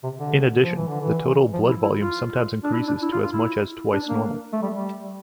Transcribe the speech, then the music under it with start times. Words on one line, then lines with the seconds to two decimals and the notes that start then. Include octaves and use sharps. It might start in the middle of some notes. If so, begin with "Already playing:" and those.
In addition, the total blood volume sometimes increases to as much as twice normal.
0.03 C3
0.19 D3
0.63 F3
0.76 E3
0.87 D3
1.01 E3
1.53 F3
1.68 E4
1.82 E4
1.98 F4
2.64 D4
2.73 E4
2.88 D4
3.02 E4
3.12 F4
3.23 F4
3.33 E4
3.93 D4
4.08 A#3
4.53 A3
4.62 G3
4.73 G3